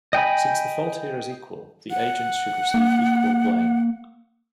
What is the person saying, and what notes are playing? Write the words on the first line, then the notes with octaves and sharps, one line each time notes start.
Since the fault here is equal, the agents should receive equal blame.
D#5 G5 G#5 B5
F#5
A#3